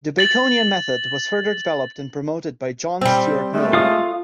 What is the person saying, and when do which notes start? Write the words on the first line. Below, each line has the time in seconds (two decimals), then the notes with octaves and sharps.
The Baconian method was further developed and promoted by John Stuart Mill.
0.19 A6 F#7
3.01 G3 C4
3.52 G#3 A3
3.73 F4 F5 D#6